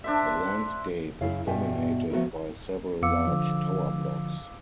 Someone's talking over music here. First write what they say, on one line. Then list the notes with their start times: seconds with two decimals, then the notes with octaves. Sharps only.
The landscape is dominated by several large tower blocks.
0.04 D4 C5 E5
1.21 F#2 C#3 E4 F5
1.47 G2 B2 E5 G5 G#5
2.11 F3 A3 B3 C#4 F#4 A#4
3.03 F2 B3 F5 D6 E6 C#7
3.27 D3 F3